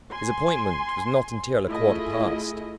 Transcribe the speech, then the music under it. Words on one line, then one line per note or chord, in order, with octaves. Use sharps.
His appointment was not until a quarter past.
G#5 C6
A3 E4 F4 G#4 D#5